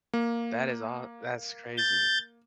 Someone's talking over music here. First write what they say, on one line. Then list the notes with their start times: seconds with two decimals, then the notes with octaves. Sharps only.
That is aw that's crazy.
0.13 A#3
1.77 G6 A6